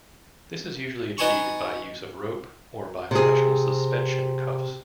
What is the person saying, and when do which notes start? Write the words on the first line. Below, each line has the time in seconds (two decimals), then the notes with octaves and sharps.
This is usually achieved by use of rope or by special suspension cuffs.
1.18 D#4 B4 D#5 G#5 A5 C#6
3.11 C3 G#4